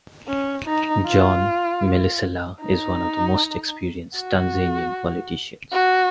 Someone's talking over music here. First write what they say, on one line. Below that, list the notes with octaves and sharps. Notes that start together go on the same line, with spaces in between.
John Malecela is one of the most experienced Tanzanian politicians.
C#4
D#4
F4
D#4
F#4
F#4